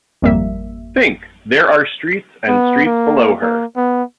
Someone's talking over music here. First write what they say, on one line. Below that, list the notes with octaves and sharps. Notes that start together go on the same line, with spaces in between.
Think, there are streets and streets below her!
G#1 F2 G3 A#3 E5
B3
A#3
A#3
B3